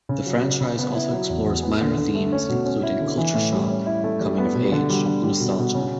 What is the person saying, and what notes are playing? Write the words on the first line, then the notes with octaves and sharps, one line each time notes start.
The franchise also explores minor themes including culture shock, coming of age, and nostalgia.
C#3
F#3
C#3
C#3
B3
E4
F#3
E2
E2
B3
D3
D3
A3
C#4
B2
C#4
E4
D3
E3
A2
G3
C#4
E4
A3
G3
B3
B2
D3
G3
D3
G3
B2
B2
C#3